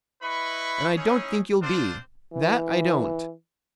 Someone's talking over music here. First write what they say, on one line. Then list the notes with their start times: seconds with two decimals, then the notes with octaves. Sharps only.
And I don't think you'll be. That I don't.
0.22 E4 B4 D#5 B5 C#6
0.96 C#4 D#4 E4 G#4 C#5
1.63 C4 D4 F4 C5
2.33 E3